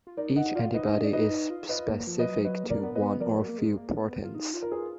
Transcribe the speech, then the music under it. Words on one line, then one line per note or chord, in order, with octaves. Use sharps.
Each antibody is specific to one or a few proteins.
F4
D#4 A#4 D5
D4
D#4 D#5 F#5
F4 D5 F5
D#4 B4 D#5
D4 D#5
D5
D#4 B4 D#5
D#4
F4
F4 B4 D#5
A#3
F3
B4 D#5
F#3
F#3 B4 D#5
A#3
A#4 D5
D4
B3
B4 D#5
B3
F3 A#4 D5
F#3
A#3
G#3
A#3
D4
B3
F4
D#4
F4
A#4
G#4 B4